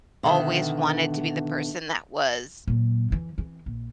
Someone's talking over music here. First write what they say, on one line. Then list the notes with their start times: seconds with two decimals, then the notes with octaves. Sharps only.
always wanted to be the person that was,
0.23 B2 D3 D#3 E5
2.67 A#2 F#3
3.10 F2 E3
3.38 E3 C4
3.66 A#1